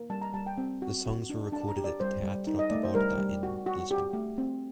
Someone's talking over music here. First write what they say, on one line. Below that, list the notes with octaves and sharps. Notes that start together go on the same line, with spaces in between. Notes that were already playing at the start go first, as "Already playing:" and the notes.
The songs were recorded at the Teatro Taborda in Lisbon.
Already playing: A#3
G3 A5
A#5
G3 A5
G5
C4
F#4
F#4
D4
D4 A5
A#5
G4
D5
G3 C5
G3
D#4
D#5
A3 D5
C5
G3 A#4
G3
F#4
F#4
G4
A3
C4